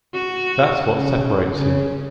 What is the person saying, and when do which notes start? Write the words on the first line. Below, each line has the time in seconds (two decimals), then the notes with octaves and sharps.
That's what separates him.
0.14 F#4
0.91 C#3
1.53 C#3